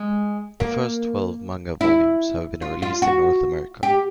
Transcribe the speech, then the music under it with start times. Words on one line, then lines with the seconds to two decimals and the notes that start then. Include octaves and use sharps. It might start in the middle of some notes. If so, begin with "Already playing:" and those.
The first twelve manga volumes have been released in North America.
Already playing: G#3
0.60 A#3
1.81 E4
2.62 F4
2.82 F4
3.02 F#4
3.83 G4